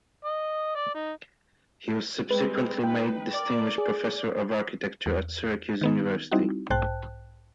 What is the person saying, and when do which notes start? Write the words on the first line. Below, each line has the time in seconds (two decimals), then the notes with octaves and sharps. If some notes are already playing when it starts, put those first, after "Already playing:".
He was subsequently made Distinguished Professor of Architecture at Syracuse University.
0.25 D#5
0.75 D5
0.95 D#4
2.31 G3 G#3 C4 B4
2.84 D#4 B4 G5
3.35 A#4 D5
3.78 G#4 D5
5.06 E2
5.81 D#3 B3 D#4
6.31 G3 C4 D#4 E4 F#4
6.70 B1 G#2 C5 G5 A5 F#6